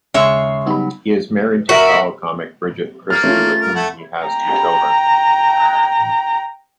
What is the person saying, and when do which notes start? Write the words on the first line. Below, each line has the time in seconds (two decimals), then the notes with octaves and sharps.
He is married to fellow comic Bridget Christie, with whom he has two children.
0.14 D#2 C#3 G#3 C#5 E5 C7
0.66 F#3 G3 B3 D#4 B5
1.69 F#4 A#4 E5
3.10 A#3 F6 A6
3.24 A3 C#4 F4
3.61 A#4
3.75 A3 F#5
4.25 G5 A#5